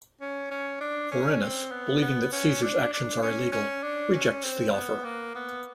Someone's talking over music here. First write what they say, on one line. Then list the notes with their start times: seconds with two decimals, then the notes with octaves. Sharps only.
Vorenus, believing that Caesar's actions are illegal, rejects the offer.
0.21 C#4
0.51 C#4
0.81 D4
1.11 C#4
1.41 C4
1.71 B3
2.02 B3
2.32 C#4
2.62 D4
2.93 D4
3.22 C#4
3.53 C#4
3.83 D4
4.14 C#4
4.44 C4
4.74 B3
5.04 A#3
5.35 B3